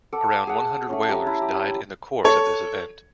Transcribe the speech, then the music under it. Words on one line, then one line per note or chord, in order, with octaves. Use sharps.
Around one hundred whalers died in the course of this event.
A4 F#5 D6
G#4 F#5
A3 C#4
G4 A5 A#5
E4
G4
A4 C#5